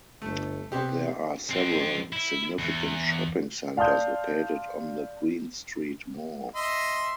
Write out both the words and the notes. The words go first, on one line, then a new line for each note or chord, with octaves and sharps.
There are several significant shopping centres located on the Queen Street Mall.
G1 A3
C3 B3 C4 G4
F2 C4
E4
E2
D5 F5 A5 C6 D#6 G6
D#5 E5 C6